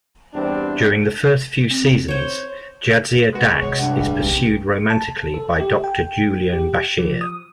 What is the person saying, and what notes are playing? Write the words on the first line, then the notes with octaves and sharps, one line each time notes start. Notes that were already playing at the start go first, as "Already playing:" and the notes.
During the first few seasons, Jadzia Dax is pursued romantically by Doctor Julian Bashir.
E2 G3 C4 D4
C4
C5 C#5
G#3 B3 F#4
C3 C#5
G2 F#5
A2 G#4
B1 C4 G4
A5
A4
G4
G5
G4
F3
D#6